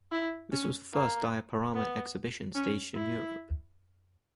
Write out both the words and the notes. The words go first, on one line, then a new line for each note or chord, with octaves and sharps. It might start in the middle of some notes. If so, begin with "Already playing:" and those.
This was the first Diaporama exhibition staged in Europe.
E4
C#4
A#3
B3
C#4
E4